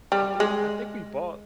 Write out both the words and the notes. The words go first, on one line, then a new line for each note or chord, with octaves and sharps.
I thi I think we bought
G3
G#3